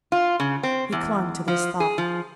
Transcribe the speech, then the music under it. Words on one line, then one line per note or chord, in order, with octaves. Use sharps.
He clung to this thought.
F4
C#3
C4
E2
F3
G#4
F3